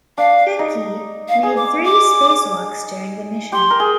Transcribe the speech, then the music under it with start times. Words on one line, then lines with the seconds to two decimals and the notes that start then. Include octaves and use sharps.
Fincke made three spacewalks during the mission.
0.18 D4 F5
0.59 D#4
1.29 F5
1.43 G#4
1.57 D6
1.85 D6
3.52 G4 C6
3.70 A#4
3.80 G#4